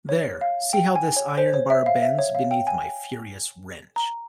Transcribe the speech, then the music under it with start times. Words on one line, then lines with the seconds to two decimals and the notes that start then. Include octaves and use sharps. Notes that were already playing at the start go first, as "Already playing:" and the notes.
There — see how this iron bar bends beneath my furious wrench.
0.09 C#5
0.41 F5
0.73 G5
0.96 G#5
1.16 C#5
1.38 C5
1.54 C#5
1.70 E5
1.86 F5
2.02 E5
2.19 C#5
2.35 F5
2.51 G5
2.67 G#5
3.96 A#5